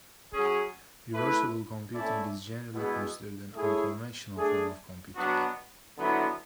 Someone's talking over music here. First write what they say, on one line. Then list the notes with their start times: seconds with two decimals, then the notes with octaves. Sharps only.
Reversible computing is generally considered an unconventional form of computing.
0.32 F#3 C#4 G#4
1.12 A3 E4 B4
1.93 A3 C#4 E4 A4 D5
2.74 B2 G#3 B3 E4 G#4
3.54 A3 E4 G#4 C#5
4.36 A3 D4 G#4
5.16 B2 F#3 B3 D4 F#4
5.96 D3 F#3 B3 E4